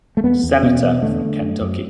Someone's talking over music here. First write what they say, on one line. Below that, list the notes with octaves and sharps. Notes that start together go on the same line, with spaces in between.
Senator from Kentucky.
A3
E2 B3
E2
B2 B3
E2 B3
D3 A3
D3
F#2
F#2